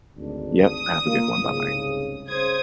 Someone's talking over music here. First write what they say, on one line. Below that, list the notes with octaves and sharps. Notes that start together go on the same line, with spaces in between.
Yep. Have a good one. Bye-bye.
G#1 D2 D4
D#6
A#3 F4
C2 G#2 C#3
C#3 C5 D#6 G#6